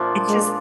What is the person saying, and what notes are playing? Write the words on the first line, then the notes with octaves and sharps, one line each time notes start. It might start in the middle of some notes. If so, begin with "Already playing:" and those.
it's just
Already playing: A#2 F3 A#3 D4
G#3